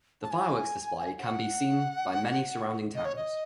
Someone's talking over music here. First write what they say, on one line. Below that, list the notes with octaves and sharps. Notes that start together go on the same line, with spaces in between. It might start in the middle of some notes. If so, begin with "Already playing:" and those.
The fireworks display can be seen by many surrounding towns.
A5
G#5
F#5
D#5
C#5
D#5